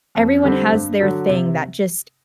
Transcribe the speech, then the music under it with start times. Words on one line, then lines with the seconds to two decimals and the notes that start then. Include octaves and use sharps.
everyone has their thing that just
0.15 F2
0.43 D3 G3 C4
0.72 G2
1.00 D3 F#3
1.29 C3